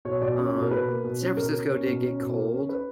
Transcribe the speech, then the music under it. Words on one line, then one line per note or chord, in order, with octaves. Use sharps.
Um, San Francisco did get cold,
B2 C#5
B2 D5
C#4 C#5
B2
A#4
B2 B4
A#3
B2
C#4
B2 A#4
C#4
C#4
B2
C#4
B2
A#3
C#4
B4